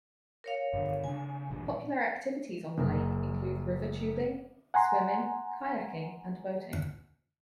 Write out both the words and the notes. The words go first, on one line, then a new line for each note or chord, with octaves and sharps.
Popular activities on the lake include river tubing, swimming, kayaking and boating.
A#4 C#5 F5
G2 D3
C#3 D4 G#5
A1 G2 A#2
F#1 F#2 A#4
F#5 G#5 A#5 C6